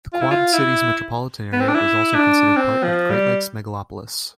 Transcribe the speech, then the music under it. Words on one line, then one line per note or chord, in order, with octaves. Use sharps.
The Quad Cities Metropolitan Area is also considered part of the Great Lakes Megalopolis.
F4
E4
F4
E4
B3
C4
D4
E4
D4
C4
F3
G3